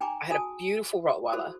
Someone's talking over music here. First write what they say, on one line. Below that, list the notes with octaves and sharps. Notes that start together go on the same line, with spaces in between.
I had a beautiful Rottweiler
D#4 G5 G#5 A#5 C6 D6
F#4 G#4 G#5 A5 D#6
E4 F#4 G#4 A4 C5 C6